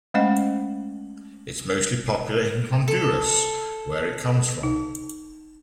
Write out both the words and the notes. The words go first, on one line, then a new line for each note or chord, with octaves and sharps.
It's mostly popular in Honduras, where it comes from.
G#3 A3 C#4 C5 D#5 F#5
A4
D#4